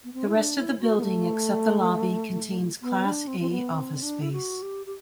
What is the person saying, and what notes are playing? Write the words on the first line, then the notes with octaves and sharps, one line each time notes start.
The rest of the building, except the lobby, contains class-A office space.
B3
C4
E4
D4
E4
F#4
B3
A3
B3
D4
C4
C4
B3
C4
D4
E4
F#4
G4
G4